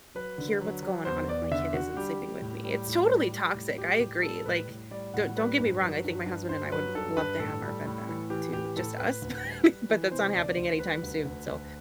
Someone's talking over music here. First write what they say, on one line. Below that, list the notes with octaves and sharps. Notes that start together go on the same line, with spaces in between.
hear what's going on if my kid isn't sleeping with me, it's totally toxic, I agree, like, don't don't get me wrong, I think my husband and I would love to have our bed back to just us, but but that's not happening anytime soon, so,
F#3 B4
D3
F#3
F#3
E2 C5
E2 D5
D3 E5
D3 F#4
G3 G4
G3
A2
G3
A2
G3
G3
A2
G3 G4
A2 G4
G3 A4
A2 B4
A2
G3 D5
A2 F#5
G3 B4
G2
F#3
G2
G2
G2 C5
F#3 B4
G2 A4
G2 B4
A2 A4
G3
A2
E3
E3 G4
A2 G4
A2 A4
A2 B4
D2
G3
G3
E3
C3 C5
D2 D5
D2 C5
G3 B4
D2
D2
D2